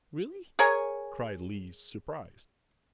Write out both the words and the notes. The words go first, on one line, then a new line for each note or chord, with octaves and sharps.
"Really?" cried Lise, surprised.
G#4 A#4 C#5 G#5